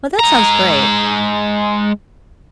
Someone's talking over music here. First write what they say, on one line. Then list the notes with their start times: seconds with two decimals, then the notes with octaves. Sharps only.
Well, that sounds great.
0.19 G#3 A#5